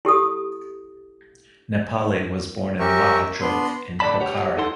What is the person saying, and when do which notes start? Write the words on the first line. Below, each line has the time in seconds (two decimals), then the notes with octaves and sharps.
Nepali was born in Lahachowk in Pokhara.
0.05 E4 G4 A4 D#6
2.80 C#4 G4 A#4 E5 C#6
3.41 B3 D4 C6
4.00 A2 D3 D4 D5 A5 B5
4.20 G4 C#5 F#5
4.57 D#4 E4 A4 F#5 C6